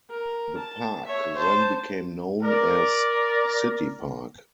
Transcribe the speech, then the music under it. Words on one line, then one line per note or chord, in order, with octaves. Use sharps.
The park then became known as City Park.
A#4
A5
C#5 E5
C5 A5
A#4 D5